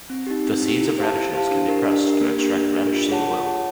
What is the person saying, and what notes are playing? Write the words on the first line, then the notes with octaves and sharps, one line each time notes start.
The seeds of radishes can be pressed to extract radish seed oil.
C4
D#4 G4
C4
D#4 G4
E4
G4 C5 F5 A5
E4
G4 C5 F5 A5
D4
G4 A#4
D4
G4 A#4
A#3
D4 G4 A#4
A#3
D4 G4 A#4
F4
G#4 C#5 F#5 A5
F4
G#4 C#5 F#5 A5